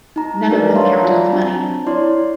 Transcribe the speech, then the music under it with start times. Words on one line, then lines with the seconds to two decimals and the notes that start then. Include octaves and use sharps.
None of them counted the money.
0.16 D#4 A#5
0.51 D4 F#4 A#4 B4 D5
0.75 C#5 E5 F5 A5 C6
0.99 F4 D5 A#5
1.32 C4 D4 A5
1.87 E4 C#5 D5 C6